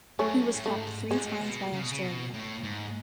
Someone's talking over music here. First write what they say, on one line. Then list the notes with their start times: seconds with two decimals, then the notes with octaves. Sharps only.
He was capped three times by Australia.
0.19 F#2 A3 C#4
0.54 A2
0.65 G#2 A3
1.11 A2 G#3
1.18 G#2
1.25 A2
1.41 B2
1.72 C#3
1.82 B2
1.92 C#3
2.03 B2
2.34 A2
2.63 G#2